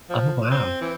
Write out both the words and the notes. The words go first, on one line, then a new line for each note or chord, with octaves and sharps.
Oh wow.
F3
C4
E3